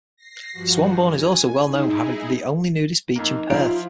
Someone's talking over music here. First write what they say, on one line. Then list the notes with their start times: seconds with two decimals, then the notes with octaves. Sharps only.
Swanbourne is also well known for having the only nudist beach in Perth.
0.16 A#6 C7
0.52 G2 F3 F#4
1.04 G#5
1.65 D#4 E4 G#4
3.16 F2 A#3 D#4
3.50 F3 E4 F5 A#5 D7